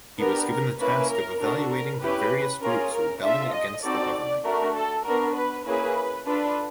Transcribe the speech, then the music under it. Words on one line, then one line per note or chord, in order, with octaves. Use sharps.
He was given the task of evaluating the various groups rebelling against the government.
B3 D4 G4 A#4
A#4
A#3 C#4 E4 B4
A#4
D4 F#4 A4 A#4
A#4
C#4 E4 G4 B4
C#4 F4 G#4 A#4
A#4
D4 F4 A4 E5
D#5
C4 D#4 F#4 A4 D5
A3 D4 F#4 A#4
A4
B3 D4 F#4 A#4
B4
A#3 C#4 E4 G#4 B4
D4 F4 A4 B4